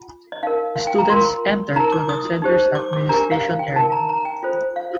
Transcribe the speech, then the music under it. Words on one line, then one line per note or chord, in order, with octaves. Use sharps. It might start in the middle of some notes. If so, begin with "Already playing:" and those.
Students enter through the center's administration area.
Already playing: F4
D#5
D#4 A#4 F5
F5
G5
A#5
F4 A#4 C6
D#4 A#4 A#5
D6
D#6
D#4 G4 C5
D6
D6
D4 G4 A#4 A#5
F5
G5
D#4 A#4 A5
A#5
A#5
G5
F4 A4 C5
F5